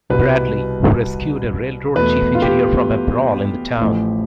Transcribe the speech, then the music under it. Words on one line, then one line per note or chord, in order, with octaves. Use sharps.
Bradley, who rescued a railroad chief engineer from a brawl in the town.
C2 B2 G3 B4
E2 B2 A3 B4
F4
G4
A1 A2 F3 A3